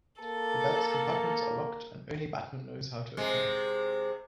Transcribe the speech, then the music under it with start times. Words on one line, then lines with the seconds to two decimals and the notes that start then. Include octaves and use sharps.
The belt's compartments are locked and only Batman knows how to open them.
0.22 A#3 A4
3.17 C3 G#3